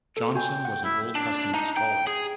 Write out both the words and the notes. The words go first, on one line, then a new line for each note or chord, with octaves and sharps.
Johnson was an Old Testament scholar.
A4
F#4 G5 G#5
F#5
E4
D4
D#4
G5
G#4